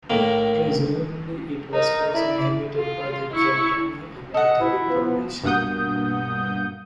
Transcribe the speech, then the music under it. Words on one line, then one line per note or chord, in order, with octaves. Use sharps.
Presumably, it was first inhabited by the Frentani, an Italic population.
A2 D#3 A#3
D#4 A#4
E4 D5 E5
F4
E4 C#6
A4 D#5 F#5
E4
F3 B3
G2 B2 A#3 F#5 D#6 G6